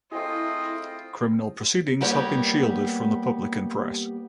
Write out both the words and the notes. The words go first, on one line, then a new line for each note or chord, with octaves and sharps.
Criminal proceedings have been shielded from the public and press.
A3 C4 E4 F4 G#4 D#5 G5
G3 A#3 B3 G4 C#5